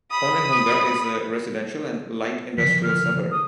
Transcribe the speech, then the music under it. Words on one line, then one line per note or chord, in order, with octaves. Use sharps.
Onehunga is a residential and light-industrial suburb.
B5 D#6
D3 E3 F3 B6
F6
D#6